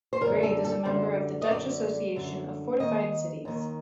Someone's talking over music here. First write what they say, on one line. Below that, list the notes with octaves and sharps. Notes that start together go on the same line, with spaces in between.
Grave is a member of the Dutch Association of Fortified Cities.
C5
F#2 D3 A#4
A4
A4
F#2 D3 C5
D#5
F#2 D3 D5
F#2 D3
D#2 D#3 D#5
D#2 D#3